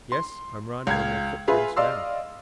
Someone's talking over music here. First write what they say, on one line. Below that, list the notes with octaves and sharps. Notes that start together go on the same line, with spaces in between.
"Yes, I'm riding on their footprints now."
C6
C#2 F5 G#6
F4 G#4 B4 E5
D5 D#5 F5 C6 E6